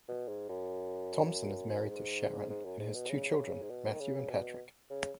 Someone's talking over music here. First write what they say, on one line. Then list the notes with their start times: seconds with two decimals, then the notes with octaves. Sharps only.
Thompson is married to Sharon and has two children, Matthew and Patrick.
0.08 B2
0.28 G#2
0.49 F#2
1.89 G#2
2.50 G#2
2.65 F#2
2.79 G#2
2.94 B2
3.10 C#3
3.39 C#3
3.62 G#2
3.70 B2
3.93 D#3
4.00 C#3
4.30 B2
4.90 C#3